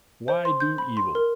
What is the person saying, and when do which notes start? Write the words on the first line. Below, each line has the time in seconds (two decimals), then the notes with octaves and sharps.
"Why do evil?"
0.28 C5
0.45 C6
0.60 G6
0.78 B5
0.97 C6
1.15 A#4